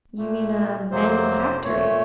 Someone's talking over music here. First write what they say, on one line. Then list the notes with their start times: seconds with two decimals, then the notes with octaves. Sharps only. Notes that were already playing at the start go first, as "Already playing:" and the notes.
You mean a manufactory.
0.18 A#2 A3
0.91 F2 C3 F#3 A#3 C5
1.64 A#2 A3 C#5